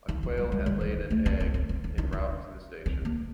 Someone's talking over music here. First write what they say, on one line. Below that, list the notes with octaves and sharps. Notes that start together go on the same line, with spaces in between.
A quail had laid an egg en route to the station.
D#3
F3
G3
G3
G3
D#3
A3
C4
C4
C4
C4
D4
D#4
D4
C4
A#3